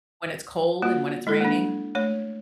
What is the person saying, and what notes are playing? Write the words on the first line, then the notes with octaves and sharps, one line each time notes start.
When it's cold and when it's raining?
A#3 F4 F#4
G#3 E4 A4
A#3 D4
A3 C#5